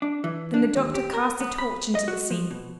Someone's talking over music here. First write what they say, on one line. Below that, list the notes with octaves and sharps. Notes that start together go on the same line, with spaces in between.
Then the doctor cast the torch into the sea.
D4
E3
D4
D#2
G4
A#4
B3
B5
D#5
F#4
F3
B2